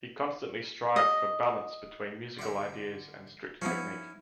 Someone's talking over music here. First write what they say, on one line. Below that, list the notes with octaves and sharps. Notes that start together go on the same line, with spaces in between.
He constantly strived for balance between musical ideas and strict technique.
D#5
D3 E5
F3 F#3 B3 C#4 D#4 E4